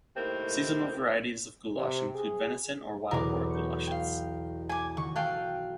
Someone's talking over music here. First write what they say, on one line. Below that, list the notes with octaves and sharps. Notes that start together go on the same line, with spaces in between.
Seasonal varieties of goulash include venison or wild boar goulashes.
A2 C3 D#3 A#3 C4
C3
G#4
B1 E2 B2 A#4 D6
C#6 G6
F5 G5
G#5 D6
D#3 F#4 C#6
A4 F5 G5 F#6 D7 D#7